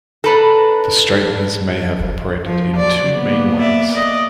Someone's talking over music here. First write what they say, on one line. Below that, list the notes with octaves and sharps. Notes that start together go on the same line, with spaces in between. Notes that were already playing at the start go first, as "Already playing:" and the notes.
The straighteners may have operated in two main ways.
D4 A4 B4 A#5
F3
F#3 D5
A#3 B3
D5 E5
D5 D#5